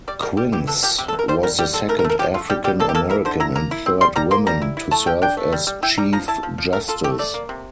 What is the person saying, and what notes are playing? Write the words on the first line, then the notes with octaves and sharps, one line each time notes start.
Quince was the second African American and third woman to serve as Chief Justice.
G3 D5
G3 A#4
G3 G4
E3 G4
C3 A4
F3 G4
C3 G4
A4
C3
A#4
G3 C5
G3 A#4
G3 G4
C4 A4
A3 A#4
A#4
A3
A#4
F3 G4
A3 F4
G3 G4
G3 G4
A#3 A4
G4
A#3 A4
E4 A#4
D3 C5
E4 A#5
A#3 A#5
E4
C4
G3 C6
G3 A#5
A#3 C6
G3 A#5
E4
E4
A3 A5
F3 G5
D4 G5
A3
G3
G3
E4 G5
G3 A#5
F3 A#5
E4 A5
F3
F3
A3 A#4
F4 A4
A3 G4
A3 D5
A#3
C3